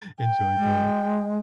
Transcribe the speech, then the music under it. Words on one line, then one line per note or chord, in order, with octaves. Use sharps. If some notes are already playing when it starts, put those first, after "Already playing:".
enjoy going.
G5
G#3